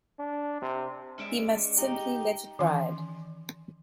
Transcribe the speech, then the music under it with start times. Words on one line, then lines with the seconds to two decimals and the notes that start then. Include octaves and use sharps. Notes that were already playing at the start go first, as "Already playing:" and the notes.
He must simply let it ride.
0.19 D4
0.62 C3
1.19 G#3 C#4 D5 E5
1.78 D#4 G4
2.59 D#3 E3 C#4 G#5 C6